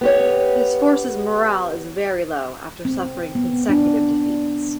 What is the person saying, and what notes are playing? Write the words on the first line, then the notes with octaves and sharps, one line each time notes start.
His forces' morale is very low after suffering consecutive defeats.
B3 G4 C#5
C4
B3
D4